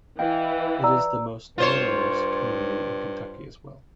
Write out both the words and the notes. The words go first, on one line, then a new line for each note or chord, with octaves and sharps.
It is the most northernmost community in Kentucky as well.
E3 D#5 F5 G5
D5 A#5 E6
G2 F4 C5 C#5